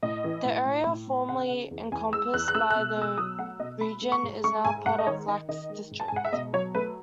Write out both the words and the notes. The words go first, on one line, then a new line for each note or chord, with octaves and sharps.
The area formerly encompassed by the region is now part of Lacs District.
A2 D#5
E3
A2
A2
A2
A2
C#3 F#5
C#3
E2
E2 G#5
G#3 E6
E2 F#6
F#6
A3 E6
F#6
B2
B2 E6
F#3 D#6
A3 F#5
B2 D#5
A3 B5
A3
C#6
G#2
A3 C#6
G#2 G#5
G#2 F#5
D#5
D#3 C#5
D#3 D#5
D#3 D#5
G#3
G#2
A5
G#5
G#2 F#5
E5
B2 D#5
F#3 C#5
A3 B4